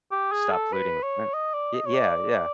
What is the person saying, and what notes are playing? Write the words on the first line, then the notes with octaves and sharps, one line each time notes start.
stop polluting the planet it Yeah, yeah.
G4
G#4
A4
B4
C#5
D#5
D5
D#5
C#5
D5